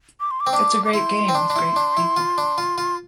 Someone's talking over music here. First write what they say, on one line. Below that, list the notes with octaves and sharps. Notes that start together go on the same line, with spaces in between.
It's a great game with great people.
D6
C6
D6
C4
D4 D6
D6
E4 C6
C4
D4
D4
E4
D4
E4
F4
D4
F4
F4